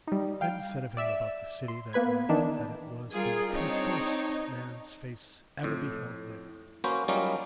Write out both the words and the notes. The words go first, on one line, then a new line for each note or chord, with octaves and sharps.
Men said of him about the city that night that it was the peacefullest man's face ever beheld there.
G3 D#4
F5 G5
D5 E5 E7
C6
A#3 B3 B4 B5 G#6
D#3 E3 D4 D#4 E7
G3 F4 G#4 A#4
C4 D4 D#4 C#5
F2 A2
A#3 C#4 F#4 B4 C5
F#3 G3 A#3 C#4 D#4 F4